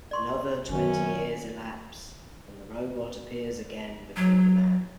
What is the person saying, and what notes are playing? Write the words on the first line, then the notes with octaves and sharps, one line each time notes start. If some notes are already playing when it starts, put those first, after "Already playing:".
Another twenty years elapse, and the robot appears again before the man.
D5 C6 C#6
F#2 D#3 F3 C#4
F#3